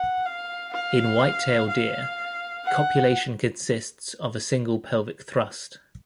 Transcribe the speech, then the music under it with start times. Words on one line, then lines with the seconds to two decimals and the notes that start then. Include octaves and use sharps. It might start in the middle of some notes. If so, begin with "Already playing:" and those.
In whitetail deer, copulation consists of a single pelvic thrust.
Already playing: F#5
0.25 F5
0.73 F5
1.69 F5
2.64 F#5